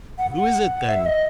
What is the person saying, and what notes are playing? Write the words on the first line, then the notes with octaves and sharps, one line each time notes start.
"Who is it then?"
F#5
F#5
E5
D#5